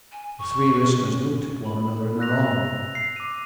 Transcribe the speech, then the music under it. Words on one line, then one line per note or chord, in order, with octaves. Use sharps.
The three listeners looked at one another in alarm.
G#5
C#6
C#4
B5
E6 F#6 A#6 F7
C7
D6 D#7